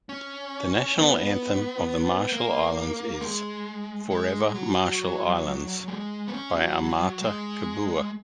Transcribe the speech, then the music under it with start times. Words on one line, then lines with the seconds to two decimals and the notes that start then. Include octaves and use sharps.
The national anthem of the Marshall Islands is "Forever Marshall Islands", by Amata Kabua.
0.09 C#4
0.97 B3
2.32 A#3
3.20 G#3
4.10 G#3
4.54 F#3
5.88 G#3
6.28 B3
6.33 C#4
6.55 F#3
7.22 G#3